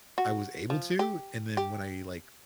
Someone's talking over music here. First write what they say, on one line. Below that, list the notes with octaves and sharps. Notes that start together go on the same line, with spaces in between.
I was able to, and then when I, like,
F#4
F3
G4
G4